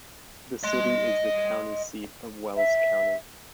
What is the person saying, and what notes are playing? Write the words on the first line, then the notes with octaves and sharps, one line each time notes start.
The city is the county seat of Wells County.
D#5 C6
E5